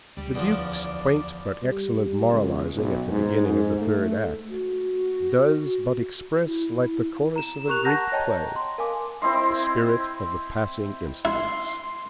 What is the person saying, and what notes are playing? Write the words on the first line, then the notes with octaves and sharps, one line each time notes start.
The Duke's quaint but excellent moralising at the beginning of the third act does but express, like the chorus of a Greek play, the spirit of the passing incidents.
D2 G3
E2 F3 D5
G3
C#2
B1
G#2
G#2
A3
F#4
E4
A#5 E7
G4 A#4 C#6 F#6 F7
F#5 A5 A#5 F#6 G6 A#6
C#5 D#5 G5 A5 A#5
C6
A#4 F5 G#5 D6
C4 E4 D#5 C6
E4 C6